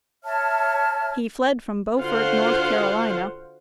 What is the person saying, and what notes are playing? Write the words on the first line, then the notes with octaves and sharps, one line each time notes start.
He fled from Beaufort, North Carolina.
C#5 E5 A5 F6
D3 F4 F#4 C5 F5 F#5